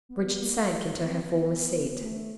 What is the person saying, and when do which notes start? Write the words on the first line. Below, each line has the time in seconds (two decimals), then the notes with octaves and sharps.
Bridget sank into her former seat.
0.09 B3
0.31 B3
0.41 A#3
0.73 A3
0.89 B3
1.05 C4
1.20 B3
2.00 A3